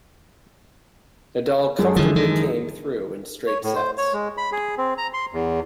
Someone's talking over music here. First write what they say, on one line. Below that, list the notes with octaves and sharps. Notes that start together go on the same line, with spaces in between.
Nadal comfortably came through in straight sets.
F#2 G#3 G#4 A4
D3 E3 F3 E4
D#3
C#5
A2
C5
C#5
G#3
B5
G#4
C4
A#5
C6
E2